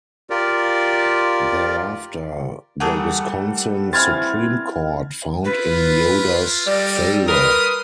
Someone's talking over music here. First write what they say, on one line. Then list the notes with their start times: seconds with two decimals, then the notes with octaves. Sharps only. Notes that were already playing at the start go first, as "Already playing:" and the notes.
Thereafter the Wisconsin Supreme Court found in Yoder's favor.
0.30 F4 G4 A#4 D5
2.80 G3 A3 A#3 G#4 A4 F#5
3.93 C4 E4 G#5 F6 G#6 A6
5.45 E4 F4 B4
6.67 G3 G4 A4 A#4 D5
7.28 A#4 B4 C6 D#6